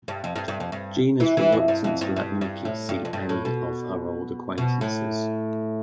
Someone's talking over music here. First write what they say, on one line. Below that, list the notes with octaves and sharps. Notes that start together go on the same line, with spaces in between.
Jeanne is reluctant to let Mickey see any of her old acquaintances.
G2
F2
G2
G2
F2
G2
E3
E3
F2
G2
F2
G2
G2
G2
A2
G2
F2
G2
A2
B2
B2
A2